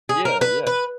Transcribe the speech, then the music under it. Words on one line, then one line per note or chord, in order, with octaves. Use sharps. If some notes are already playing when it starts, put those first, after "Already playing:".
Yeah, yeah.
G#4
A#4
B4
B4